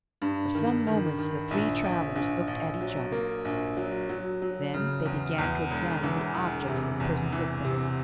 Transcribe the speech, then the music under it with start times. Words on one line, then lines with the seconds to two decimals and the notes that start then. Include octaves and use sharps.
For some moments the three travelers looked at each other. Then they began to examine the objects imprisoned with them.
0.22 G2
0.55 D#3
0.87 D#3
1.19 D#3
1.51 A#1
1.84 A#1
2.16 A#1
2.48 A#1
2.81 F#3
3.12 A#3
3.45 A#1
3.77 F#3
4.09 F#3
4.42 F#3
4.74 C#3
5.05 E2
5.38 E2
5.71 E1
6.03 E3
6.35 E1
6.67 C3
7.00 E2
7.32 E3
7.65 C3